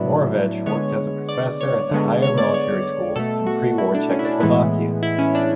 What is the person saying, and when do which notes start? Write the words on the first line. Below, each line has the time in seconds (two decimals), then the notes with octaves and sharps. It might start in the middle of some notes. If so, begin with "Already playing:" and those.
Moravec worked as a professor at the higher military school in pre-war Czechoslovakia.
Already playing: A2 F#3 B3 D4 E4
0.66 D3 G#3 B3 C#5
1.29 D5
1.61 C#5
1.91 D3 G#3 B3
2.23 C#5
2.38 D5
2.54 C#5
3.16 B2 A3 A4
3.47 F#4
3.78 E4
3.95 D4
4.10 C#4
4.19 E4
4.25 D4
4.40 A2 E3 G#3 B3 E4
5.03 E4
5.19 C#4
5.35 D4